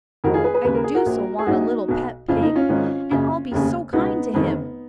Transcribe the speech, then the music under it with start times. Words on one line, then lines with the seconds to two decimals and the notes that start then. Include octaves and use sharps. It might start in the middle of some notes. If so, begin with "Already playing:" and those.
"I do so want a little pet pig, and I'll be so kind to him!"
0.24 F1 F2 D#3 F#4 A#4
0.34 F4 G#4
0.44 G#4 B4
0.54 G#4 B4
0.64 D#2 C#3 B4
0.74 A#4
0.84 G#4
0.94 F#4 A#4
1.06 A#1 A#2
1.39 G#4
1.46 A#1 A#2 D#4 F#4
1.88 B1 B2
2.28 F#1 F2 C#3 F4
2.42 D#4
2.55 C#4 F4
2.69 G#1 G#2 D#3
3.11 F#1 F#2 C#3
3.52 F1 D#2 C#3
3.93 C#2 B2 B3 D#4
4.34 F1 F2 D#3